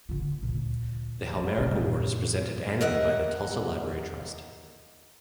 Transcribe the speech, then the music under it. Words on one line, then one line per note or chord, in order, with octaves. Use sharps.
The Helmerich Award is presented annually by the Tulsa Library Trust.
D3 F4
D2 A#2
F#2 A#2
A#4 D#5 E5 F#5